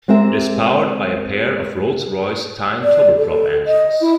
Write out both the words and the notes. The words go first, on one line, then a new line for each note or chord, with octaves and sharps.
It is powered by a pair of Rolls-Royce Tyne turboprop engines.
G#3 C4 G4 A#4 E5
D5
A4
D#5
E4